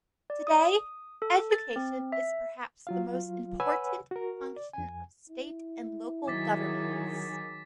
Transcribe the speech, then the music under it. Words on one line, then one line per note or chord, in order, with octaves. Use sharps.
Today, education is perhaps the most important function of state and local governments.
D5
D#6
A4
A6
C4
E5
F#3 F4 F5
B4 C#5 F#5 G#5 B5 E6
F#4 A#4
D5
F2 G#5
E4
D#3 F#3 G#4 D6 A6 B6